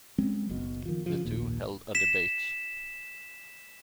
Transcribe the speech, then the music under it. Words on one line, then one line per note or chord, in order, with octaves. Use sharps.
The two held a debate.
F#3 G#3 C4 C#4
F#1 B1 B2
D#3 F3
C#3 F3
A#1 D#2 A#2
B6 E7